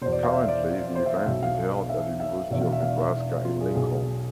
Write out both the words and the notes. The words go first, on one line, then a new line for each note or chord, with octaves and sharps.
Currently the event is held at the University of Nebraska in Lincoln.
E2 B2 C5
D5
F5
E5
D5
C5
E5
F5
B1 B2 E5
F5
E5
E5
E1 E2 B2 E5
F5
E5
F5
E5
F4
G#4
B1 B2 G#4